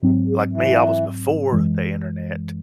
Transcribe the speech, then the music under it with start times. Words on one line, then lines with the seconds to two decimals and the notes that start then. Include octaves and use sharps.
like me, I was before the internet,
0.02 G#2 C3 F#3 C4
0.27 C#3
0.52 E3
1.53 F#2 E3 G#3